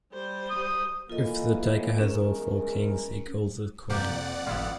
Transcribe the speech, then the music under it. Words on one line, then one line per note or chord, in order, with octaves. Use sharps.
If the taker has all four kings, he calls a queen.
G3 C5
D#6
E3 A#3 F4 A4 D#5
E2 G#3 C#4 A#4
F2 C3 A#3 G4 D5 F#5
G#1 A2 B3 E4 F4